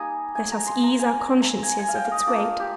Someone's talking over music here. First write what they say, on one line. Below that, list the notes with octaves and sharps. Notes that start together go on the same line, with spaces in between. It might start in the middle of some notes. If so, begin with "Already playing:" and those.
Let us ease our consciences of its weight.
Already playing: G3 A#3 D#4 G#5 A#5
G#5
A#5
C6
A#5
G#5
A#5
A#5
G#5
G#5
F5
G5
F5
D#5
A#3 D4 F4 D5
G4